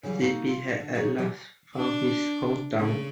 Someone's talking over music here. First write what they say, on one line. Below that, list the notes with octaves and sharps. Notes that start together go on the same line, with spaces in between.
Zippy had, at last, found his home town.
C#3 E3 F#3 G3
A#3 D#4 F#4 G4 A4
F4
D3
D#4 F#4 G#4 C#5
C#3 E3 F#3 C#4 E4 G4
D4
C#3